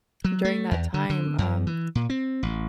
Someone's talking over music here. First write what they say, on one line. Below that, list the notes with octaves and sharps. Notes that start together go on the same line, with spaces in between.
during that time, um,
F#3
A3
E2
D3
D3
F#2
E3
A#2
C4
A1